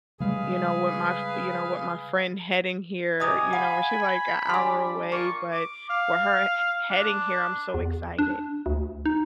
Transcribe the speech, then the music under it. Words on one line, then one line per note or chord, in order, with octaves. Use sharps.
you know, what my f you know, what my friend heading here, you know, when she, like, a hour away, but where her he heading here, I'm so excited.
C#3 G3 G#3 G#4 B4 F5
G#2 C3 G3 D#5 G#5 A#5 D#6
F5 F#5 B5
G3 D4 G#5 C6
A#3 F4 C#6
D6
F5
D4
E2
D4
D2
D#4